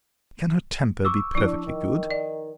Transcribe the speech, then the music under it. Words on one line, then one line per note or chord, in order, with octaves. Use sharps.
Can her temper be perfectly good?
C#6 D6 E6
F3 D4 E4
D#3
D5